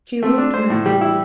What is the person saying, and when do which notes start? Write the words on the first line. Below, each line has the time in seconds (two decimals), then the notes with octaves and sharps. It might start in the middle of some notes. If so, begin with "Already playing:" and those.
She looked round.
0.22 A3 C4
0.38 D4
0.53 A3 C5
0.70 A2
0.85 E3 G3
1.01 E4